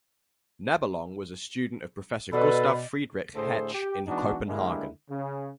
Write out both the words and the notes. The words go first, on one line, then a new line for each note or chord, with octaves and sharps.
Nebelong was a student of Professor Gustav Friedrich Hetsch in Copenhagen.
B2 A4 B4 D5 D#5
A2 D3 A3 G#4 A4 C5
G4
E3 G#3 B3 D4 D#4 F#4
D3 G3 G#3 A#3 D4 E4
C#3